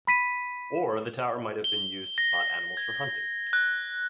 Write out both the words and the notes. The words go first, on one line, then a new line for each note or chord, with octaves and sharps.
Or the tower might have been used to spot animals for hunting.
B5 B6 D#7
G7
A#6
G#6
F#6